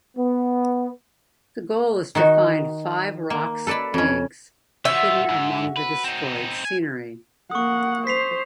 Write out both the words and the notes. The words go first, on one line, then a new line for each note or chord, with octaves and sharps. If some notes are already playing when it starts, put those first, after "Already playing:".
The goal is to find five Roc's eggs hidden among the destroyed scenery.
B3
D#3 D#4 F#4
A#3
A4 B4 D5 A5 B5
F2 C#4
D#3 F4 F#4 C#5 E5
G#2
B4
C4 D#4
G#5
A#3 F#5 C#6 D#6
C5 B6 C7 F7